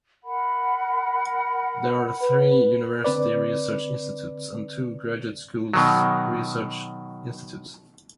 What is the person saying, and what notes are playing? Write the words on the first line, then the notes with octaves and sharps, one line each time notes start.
There are three university research institutes and two graduate school research institutes.
A#4 F#5 B5
B4
D3 C4 B4 D5
B2 D#3 F#3